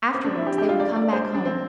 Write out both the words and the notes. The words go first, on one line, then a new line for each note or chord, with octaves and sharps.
Afterwards they would come back home.
C4
D4
E4
G4
G4
F4
D5
D5
C5
D4
C4